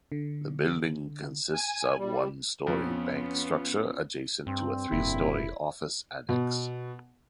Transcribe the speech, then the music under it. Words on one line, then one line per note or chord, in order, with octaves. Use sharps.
The building consists of a one-story bank structure adjacent to a three-story office annex.
D3
G#5
G3
F2 B3 C#4 F4
G2 C4
F1 G2 A#2 D3 E4
B2